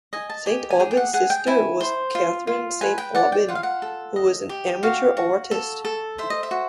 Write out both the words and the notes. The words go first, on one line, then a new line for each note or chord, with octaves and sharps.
Saint Aubyn's sister was Catherine Saint Aubyn, who was an amateur artist.
D#5 G#5
A5
G4 G#5
G#5
G#4 G5
G5
F#5
G#4 F#5
G5
E4 G#5
C5
F4
F4
B4 G#5
G5
D5 F#5
G5
F4 F#5
F5
F#5
A4
D#5
G4
F#4 F5
F#4
A4
A4
C5 E5
D#5
E5
F#4